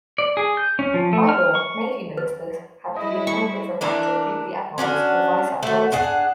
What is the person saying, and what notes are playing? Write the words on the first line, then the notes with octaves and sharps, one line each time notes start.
By law, Navy Ministers had to be appointed from active duty admirals or vice-admirals.
D5
G#4
G6
C#4
F3
A3
F6
C#6
B4
G3 G#3 E4 D#5
C#6
E3 D4 A#4
C#4 D4 F4 F#4
A3 F#4
D4 G#4 F#5